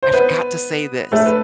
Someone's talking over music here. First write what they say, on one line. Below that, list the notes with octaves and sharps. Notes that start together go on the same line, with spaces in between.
I forgot to say this'"
C5
B3 B4
A3 A4
B4